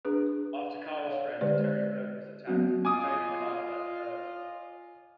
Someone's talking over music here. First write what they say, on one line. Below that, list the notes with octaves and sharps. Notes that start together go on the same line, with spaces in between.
After Kyle's friend, Terry Berg, was attacked, Jade and Kyle left Earth.
D4 G#4 B4
C#5 F5
D3 G#3 B4 C5 D5
F#3 A#3 B3 C#4 F#4
F4 D#5 G#5 D6 D#6